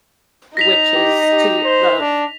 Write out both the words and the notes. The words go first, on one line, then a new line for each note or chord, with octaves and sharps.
witches to the
D#4 A#6 B6 F7
G4
G4
C5
D4